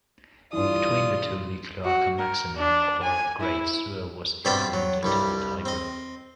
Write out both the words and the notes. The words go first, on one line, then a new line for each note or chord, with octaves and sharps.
Between the two, the Cloaca Maxima, or Great Sewer, was effluent into the Tiber.
G2 E3 F4 D5 D#6
F#4
A#4
D4
G#5
E4
G2 B2 C4 D5 G5 B5
F#3
C2 G2 G3
C4 D#5